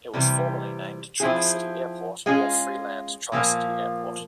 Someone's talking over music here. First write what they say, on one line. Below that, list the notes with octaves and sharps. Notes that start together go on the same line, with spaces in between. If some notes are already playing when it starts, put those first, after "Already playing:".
It was formerly named Tri City Airport or Freeland Tri-City Airport.
C3 E3 G3
F3 C4 E4 G#4
G#3 C#4 F4 G#4
A#2 F3 A#3